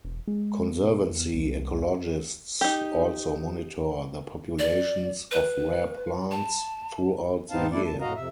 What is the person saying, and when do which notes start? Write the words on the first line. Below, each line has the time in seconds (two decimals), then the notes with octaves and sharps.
Conservancy ecologists also monitor the populations of rare plants throughout the year.
0.05 E1
0.28 G#3
0.83 B2
1.10 E2
1.34 C2
2.61 D#4 G4
4.59 D5
5.31 B4
6.31 A5
7.50 G#2 B3 C4 D#4 F5 A5
7.71 F#2 A3 D4 E4 D5
7.86 E2 A#2 A5
8.00 F2 A2 F#4 D#5 F5 A#5
8.15 F2 C3 E5